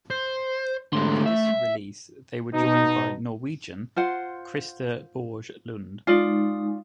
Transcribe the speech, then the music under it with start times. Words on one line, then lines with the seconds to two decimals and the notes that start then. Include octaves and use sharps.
For this release they were joined by Norwegian Christer Borge-Lunde.
0.10 C5
0.93 G#2 D3 A3 C6
1.26 E5
2.55 B2 D#4
3.96 F4 C5 F#5
6.07 G#3 D#4 F4 D5